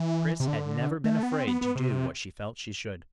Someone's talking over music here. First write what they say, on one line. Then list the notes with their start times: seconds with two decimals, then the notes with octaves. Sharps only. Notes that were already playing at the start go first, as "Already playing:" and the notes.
Chris had never been afraid to do what she felt she should.
Already playing: E3
0.40 C3
0.47 D3
1.04 A3
1.23 B3
1.32 C4
1.47 B3
1.61 B3
1.76 C3